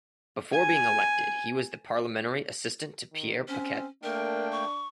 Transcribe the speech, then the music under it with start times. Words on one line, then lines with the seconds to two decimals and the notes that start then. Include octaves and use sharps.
Before being elected, he was the parliamentary assistant to Pierre Paquette.
0.53 G#5
3.13 D#3
3.48 C4 C#4
4.03 A3 A#3 D4 A#4 G5
4.51 C#6